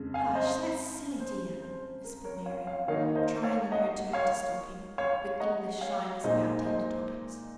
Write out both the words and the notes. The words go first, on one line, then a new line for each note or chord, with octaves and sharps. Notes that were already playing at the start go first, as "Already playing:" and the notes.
'Hush! that's silly, dear,' whispered Mary, trying in her turn to stop him, with English shyness about tender topics.
Already playing: F2 C#3 G#3
F5 G#5
C5 D#5
C5
C5
A#4
A#4 C#5
C#5 F5
C#5 F5
D#3 A#3 D#4 C#5 F5
C5 D#5
C#5 F5
D#5 F#5
C#5 F5
C#5 F5
D#5 F#5
C#5 F5
A#2 G#3 D#4 C5 D#5
C5 D#5